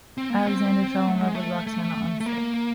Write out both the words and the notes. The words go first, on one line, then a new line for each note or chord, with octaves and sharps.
Alexander fell in love with Roxana on sight.
C4
A#3
B3
C4
A3
G#3
A3
A3
A3
A#3